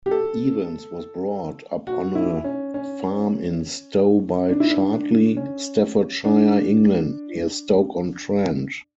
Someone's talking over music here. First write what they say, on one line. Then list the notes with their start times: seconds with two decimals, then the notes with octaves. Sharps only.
Evans was brought up on a farm in Stowe-by-Chartley, Staffordshire, England, near Stoke-on-Trent.
0.06 G4
0.11 A4
1.87 F#4
2.15 E4
2.44 C#4
2.74 C#4
4.49 D4
4.60 E4
4.70 D4
4.93 D4
5.37 C#4
6.24 D4